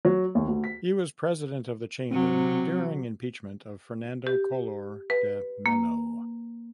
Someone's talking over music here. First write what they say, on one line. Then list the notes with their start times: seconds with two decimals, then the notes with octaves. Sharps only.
He was president of the chamber during the impeachment of Fernando Collor de Mello.
0.05 F#3
0.35 D#2
0.48 D2
0.64 B6
2.11 C3 F#3 C4
4.27 G4
5.10 B4
5.66 A#3